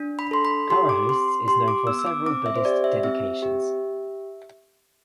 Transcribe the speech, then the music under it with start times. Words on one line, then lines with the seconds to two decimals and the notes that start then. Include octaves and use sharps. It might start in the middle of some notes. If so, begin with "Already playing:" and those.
Kharahostes is known for several Buddhist dedications.
Already playing: D4
0.19 B5
0.31 A4 C6
0.45 B5
0.70 G4 C6
0.89 D6
1.09 C4 C6
1.28 C6
1.48 G4 C6
1.68 D6
1.87 B3 E6
1.99 E6
2.06 D6
2.26 C4 D6
2.46 E5
2.56 C5
2.65 G4 D5
2.84 E5
3.03 C4 E5
3.42 G4